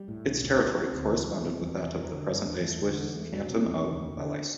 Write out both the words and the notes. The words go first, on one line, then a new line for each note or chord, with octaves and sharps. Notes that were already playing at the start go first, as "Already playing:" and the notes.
Its territory corresponded with that of the present-day Swiss canton of Valais.
Already playing: G3
A2
B1
D2
F#3
C3
D2
E2
G3
C3
E2
G2
F#3
D3
G2
E2
A3
D3
E2
A3
F#3
C3
E2
D2
A3
D3